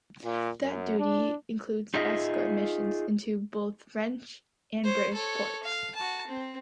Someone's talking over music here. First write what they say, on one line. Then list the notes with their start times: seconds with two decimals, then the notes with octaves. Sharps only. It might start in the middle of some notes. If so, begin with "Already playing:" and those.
That duty included escort missions into both French and British ports.
0.24 A#2
0.62 F#2
0.99 D4
1.94 D#4 F4 G#4 D#5 E5
4.84 C5 C#5
5.14 A4 C#5
5.63 F5
5.95 F#4 A5
6.28 C4